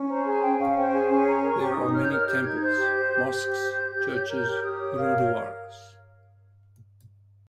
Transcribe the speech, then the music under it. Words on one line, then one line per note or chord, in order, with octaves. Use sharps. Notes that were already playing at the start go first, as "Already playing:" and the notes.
There are many temples, mosques, churches, guruduwaras.
Already playing: C#4
C5 A#5
G#4 G#5
C#4 G5
C#4 F5
C5 G5
G#4 G#5
C#4 G#5
C#5 A#5
A#4
C#6
G4
D#6
D#4
C#5 F6
G6
A#4 F6
G4 G6
D#4 G#6
C5 G6
G4
C5
G4
C5 G6
G4
C5
G4
G4
C#5
A#4
G4
F6
G4 D#6
C#5
A#4 F5